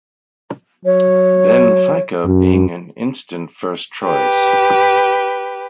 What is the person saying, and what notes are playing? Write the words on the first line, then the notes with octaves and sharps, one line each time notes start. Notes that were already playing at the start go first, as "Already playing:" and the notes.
Benfica, being an instant first-choice.
F#3 C#5
F#2
G4 B4